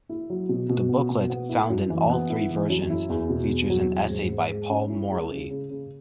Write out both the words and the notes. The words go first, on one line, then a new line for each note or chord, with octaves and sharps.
The booklet, found in all three versions, features an essay by Paul Morley.
E4
F#3
B2
B2
B3
B2
B3
E4
F#2
E3
B3
E4
E3
F#2
E4
E2
B2
E2
F#3
E2
G#2
G#2
G#3
C#4
E4
G#3
C#3
C#3
C#3